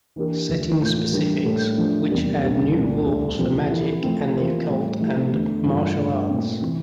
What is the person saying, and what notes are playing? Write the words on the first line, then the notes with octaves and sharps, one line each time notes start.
Setting Specifics, which add new rules for magic and the occult, and martial arts.
E3 A#3 D4 G4 A#4
D2 D3 F3
A2 E3 A#3 F4
E3 G3 A#3 D4
A2 G3 A#3 D4 A4
F3 A3 D4
E2 C3 G3 A#3
C2 A#2 G3 D4
C2 A#2 A3 D4 A4
D2 D3 G3 D4 A4
A#2 F3 C4 G4 C5
E3 A#3 E4 A4
F3 A3 C4
E3 A#3 F4 C5
A2 G3 C4
F3 A3 E4 A4
E2 D3 A3
G2 E3 A#3 F4
G2 D3 A3
A#2 A3 C4
C3 E3